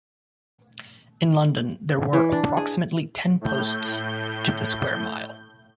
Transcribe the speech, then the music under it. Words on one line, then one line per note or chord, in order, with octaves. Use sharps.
In London there were approximately ten posts to the square mile.
E3
D4
G#4
A2 G6